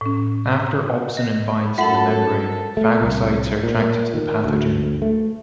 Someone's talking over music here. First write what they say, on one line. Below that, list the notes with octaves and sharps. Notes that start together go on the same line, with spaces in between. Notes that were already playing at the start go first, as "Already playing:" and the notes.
After opsonin binds to the membrane, phagocytes are attracted to the pathogen.
A2 C#4
D#5
F#2 F4 A4 E5 F#5 B5
A3
C2
A#2
D#3
D2
A3